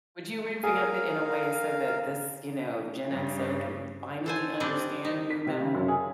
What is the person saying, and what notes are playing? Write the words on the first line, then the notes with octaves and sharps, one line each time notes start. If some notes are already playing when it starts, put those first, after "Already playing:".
Would you revamp it in a way so that this, you know, Gen Xer can finally understand new math?
G#4 A#4 F5
G2 C#3
A4 C5 G#5
G3 C4 D4 D5 D#5
D#4
B6
C3
C#3
F#2
G#4